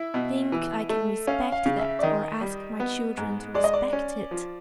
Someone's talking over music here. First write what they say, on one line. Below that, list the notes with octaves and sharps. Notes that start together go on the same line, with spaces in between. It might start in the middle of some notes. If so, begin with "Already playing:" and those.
Think I can respect that, or ask my children to respect it?
Already playing: E4 E5
B2
E3
A3
C#4 F5
F5
C#3
E5
D5
D#3 D#5
G3
B3
G#2
G#3 D5
D#5
D5
C#4
F3